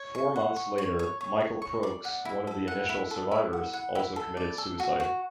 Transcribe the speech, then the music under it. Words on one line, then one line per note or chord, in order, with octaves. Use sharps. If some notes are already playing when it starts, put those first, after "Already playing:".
Four months later, Michael Prokes, one of the initial survivors, also committed suicide.
Already playing: C#5
C#6
F#5
C#6
C#5
C#5
C#5
C#5
C#6
D5
F#5
E4
A4
F#5
E4
A4
E4
F#5
F#5
E4
A4
D5
A4
F#4
F#4